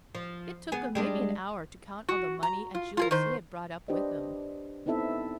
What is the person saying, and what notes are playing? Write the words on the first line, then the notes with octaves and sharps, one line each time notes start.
It took him maybe an hour to count all the money and jewels he had brought up with him.
F3
B3 G#4
G3 G#3 D4
F#4
A#5
F4
F4 G#4 A#4
D#3 C5
D4 G4 B4 C5 D#5
B3 C4 D#4 E4 A4 E5